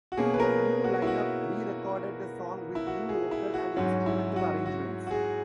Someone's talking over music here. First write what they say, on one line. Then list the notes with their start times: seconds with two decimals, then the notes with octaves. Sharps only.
The new line-up re-recorded the song with new vocal and instrumental arrangements.
0.12 F#4
0.17 B2 A#3 C#4 G#4
0.34 B4
0.40 A#4
0.84 F#4
1.02 E4
1.07 F#4
2.75 E4
2.87 F#4
3.09 G#4
3.31 E4
3.54 F#4
3.76 G#2 F#3 C#4 F#4
4.06 E4
4.36 F#4
4.66 F#4
5.07 F#4
5.11 G#4